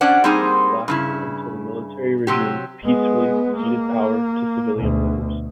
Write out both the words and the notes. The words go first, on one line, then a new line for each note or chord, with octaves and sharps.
The dictatorship lasted until the military regime peacefully ceded power to civilian rulers.
C#4 D4 C5 D5 F#5
G3 A#3 C4 D#4 G#4 C5
G2 C#3 E4
C3 F#3 G4
G#3 B3
A#3
D2 B2